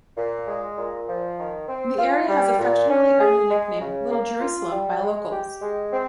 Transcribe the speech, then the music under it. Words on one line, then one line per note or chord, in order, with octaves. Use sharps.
The area has affectionately earned the nickname "Little Jerusalem" by locals.
A#2
G#3
A#2
F3
D#3
C4
F4
G3
A#2
C#4
G#4
G#3
C#3
A#3
F4
G3
G#3
G4
G#3
C4